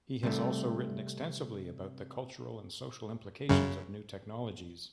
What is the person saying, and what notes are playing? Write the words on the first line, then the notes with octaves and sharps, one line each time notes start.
He has also written extensively about the cultural and social implications of new technologies.
C3 G3 A3
F#2 C#3